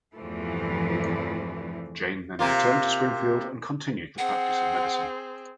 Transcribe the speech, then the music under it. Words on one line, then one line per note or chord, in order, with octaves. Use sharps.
Jayne then returned to Springfield and continued the practice of medicine.
E2 G2 C3 E3 F3 A3
C3 A#3 F4
C4 G#4 F#5